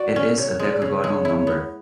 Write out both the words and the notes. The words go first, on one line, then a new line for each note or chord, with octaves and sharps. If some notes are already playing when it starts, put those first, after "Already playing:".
It is a decagonal number.
Already playing: F#4 D5
C#4
C3 C#5
G#3
D5
C#3 C#5
G#3
E4
B3